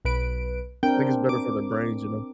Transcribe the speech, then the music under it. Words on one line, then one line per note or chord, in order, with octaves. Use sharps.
I think it's better for their brains, you know?
B1 B4 D7
C4 D4 A#4 G5
D6